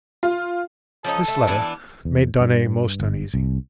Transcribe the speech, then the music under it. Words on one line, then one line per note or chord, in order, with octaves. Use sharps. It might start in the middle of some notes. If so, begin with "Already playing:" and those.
This letter made Darnay most uneasy.
F4
F3 C#4 D#4 A4
A3
E3 B3 D4
E2
G2
G1
C2